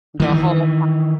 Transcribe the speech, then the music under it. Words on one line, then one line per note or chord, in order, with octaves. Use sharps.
The whole
D#3 E3